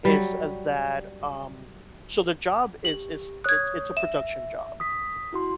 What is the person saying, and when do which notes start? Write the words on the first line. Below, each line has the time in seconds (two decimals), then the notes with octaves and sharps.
is, uh, that, um so the job is is it's it's a production job,
0.05 F#3 G3
2.85 G4 F#7
3.44 C#5 D#6 F#6 G#6
3.97 E5 E7
4.80 D#6 B6
5.33 E4 F#4 C6